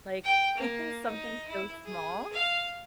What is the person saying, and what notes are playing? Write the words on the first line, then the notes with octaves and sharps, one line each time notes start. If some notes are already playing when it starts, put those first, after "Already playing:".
Like, even something so small.
G5
A#3
D#4
E4
G#4
F5